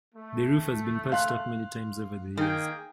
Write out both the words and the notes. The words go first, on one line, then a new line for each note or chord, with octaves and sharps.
The roof has been patched up many times over the years.
A3
F5 C6 F#6
D#3 A#3 G#4 G5